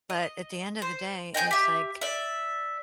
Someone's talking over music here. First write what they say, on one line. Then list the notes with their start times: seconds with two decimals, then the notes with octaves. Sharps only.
but at the end of the day, it's like,
0.10 D#5
0.82 C5
1.34 D#5 G5 G#5 G6
1.51 G4 E5
2.01 D5 E5